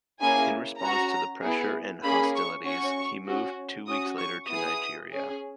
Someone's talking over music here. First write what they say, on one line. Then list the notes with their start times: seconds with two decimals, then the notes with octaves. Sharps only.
In response to the pressure and hostilities, he moved two weeks later to Nigeria.
0.20 A#3 C#4 E4 G#4 G#5
0.81 C#4 F#4 A#5
1.42 B3 E4 G#4
2.03 A#3 C#4 G#4 B5
2.34 C#6
2.65 C#4 F#4 C#6
3.26 C#4 F#4
3.87 C#4 F#4 D#6
4.18 C#6
4.49 B3 E4 G#4 D#6
5.10 C#4 G#4